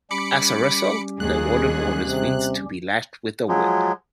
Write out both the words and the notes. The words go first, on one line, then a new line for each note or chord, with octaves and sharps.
As a result, the warden orders Vince to be lashed with a whip.
G3 C#4 G4 B5 D6 C#7
D#2 G#4 F#6
C3
F3 F#3 G#3